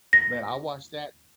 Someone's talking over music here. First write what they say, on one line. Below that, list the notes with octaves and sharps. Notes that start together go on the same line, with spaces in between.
Man, I watched that
A#6